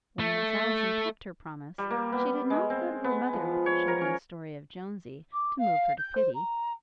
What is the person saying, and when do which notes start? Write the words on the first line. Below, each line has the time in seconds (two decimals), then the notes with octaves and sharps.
When Miss Allison kept her promise she did not go to her mother with the children's story of Jonesy, to move her to pity.
0.20 A3
1.78 G3
1.91 A#3
2.12 B3
2.50 G#3
2.70 C4
3.04 B3
3.33 F3
3.66 C#5
3.88 A#4
4.01 C#4
5.32 D6
5.58 F5
5.97 G6
6.15 C5
6.34 A#5